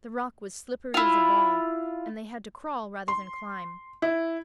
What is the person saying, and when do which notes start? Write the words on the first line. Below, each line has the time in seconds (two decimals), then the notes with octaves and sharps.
The rock was slippery as a ball, and they had to crawl rather than climb.
0.94 E4 F4
3.08 C6
4.02 E4